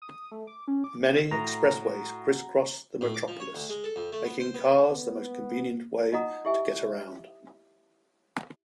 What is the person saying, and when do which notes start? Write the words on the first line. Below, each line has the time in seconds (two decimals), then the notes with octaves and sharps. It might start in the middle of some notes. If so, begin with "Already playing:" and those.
Many expressways criss-cross the metropolis making cars the most convenient way to get around.
0.02 D#6
0.31 A3
0.47 D6
0.68 C#4
0.84 D6
1.31 A2 F#4 A#5
3.01 A2
3.14 D6
3.28 F3
3.40 C#5
3.55 D2
3.69 G#3
3.84 A4
3.96 F2
4.12 A3
4.24 B3
4.40 C5
4.54 B3
4.91 B3
6.12 D#4 F4 D#5 F#5 A#5 D#6
6.45 E4 G4 E5 G#5